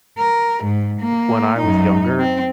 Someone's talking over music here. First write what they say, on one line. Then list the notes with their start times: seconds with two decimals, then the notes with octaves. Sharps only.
when I was younger,
0.18 A#4
0.64 G#2
1.01 A#3
1.58 F#2 D#4
2.19 C4